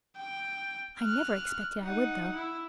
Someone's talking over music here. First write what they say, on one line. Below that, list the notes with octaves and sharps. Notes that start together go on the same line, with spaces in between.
I never expected I would, though.
G5
F6 F#6
D#4 F#5
E4